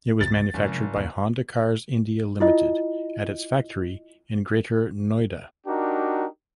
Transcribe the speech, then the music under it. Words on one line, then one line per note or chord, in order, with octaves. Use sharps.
It was manufactured by Honda Cars India Limited at its factory in Greater Noida.
C#2 C3 A6
F#1 D2 A2
C3 F3 G#3
D#2 A#2 F#3
E4 F4 D#5
D4 D#4 F#4 G4 A#4